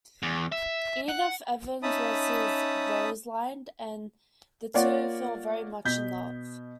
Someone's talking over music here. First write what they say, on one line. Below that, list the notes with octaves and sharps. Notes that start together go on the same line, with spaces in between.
Edith Evans was his Rosalind and the two fell very much in love.
E2
E5
F#5
C#4 D#4 E5 A5 B5 D#6
A#3 F4 C#5 D5 F#5
B2 G6 B6